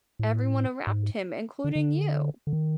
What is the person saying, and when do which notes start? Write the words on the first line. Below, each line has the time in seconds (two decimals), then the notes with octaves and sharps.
everyone around him, including you.
0.19 A2
0.87 G#2
1.64 D3
1.75 D3
2.47 D3
2.53 D#3